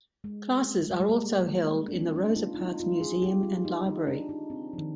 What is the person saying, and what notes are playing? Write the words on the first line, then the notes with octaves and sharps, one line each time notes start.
Classes are also held in the Rosa Parks Museum and Library.
G#3
G3
G#3
A#3
D4
C4
D4
D#4
F4
D#4
F4
F4
G#4
G4
F4
D#4
D#4
D4
D#4
C4
F3
D#3